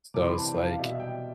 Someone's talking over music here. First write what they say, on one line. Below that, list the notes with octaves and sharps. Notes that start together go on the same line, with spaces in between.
So, it's, like,
C3 E3 G3 D6
C6
B5
A5
G5
F5
A5
F5
B2 G3 E5
E5
G5